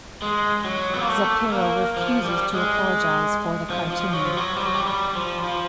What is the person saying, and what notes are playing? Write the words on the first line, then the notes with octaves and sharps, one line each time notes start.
Zapiro refuses to apologise for the cartoon.
G#3
F#3
B3
A#3
A3
A#3
F3
G3
G#3
F3
F3
F#3
F3
F#3
G3
F#3
G3
G3
F3
F3